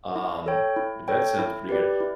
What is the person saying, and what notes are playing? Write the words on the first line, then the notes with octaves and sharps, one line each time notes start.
um, but that sounds pretty good.
E4
A4 C#5 G5
E4
A4 C#5 G5
E4
G4 B4 D5
E4